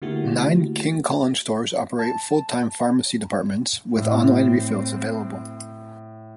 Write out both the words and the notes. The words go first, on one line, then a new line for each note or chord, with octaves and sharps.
Nine King Kullen stores operate full-service pharmacy departments, with online refills available.
D3 A3 A#3 E4 F#4 G4
A5
A2 C4